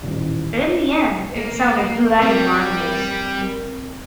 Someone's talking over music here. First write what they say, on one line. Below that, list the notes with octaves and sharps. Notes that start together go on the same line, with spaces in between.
But in the end it sounded bloody marvellous.
D#1 A1
D4 C#5
A#3
G3 C4 A#4